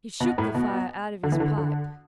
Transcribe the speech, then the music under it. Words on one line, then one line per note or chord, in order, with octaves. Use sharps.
He shook the fire out of his pipe.
B2
A2
B2
D3
E3
D3
D3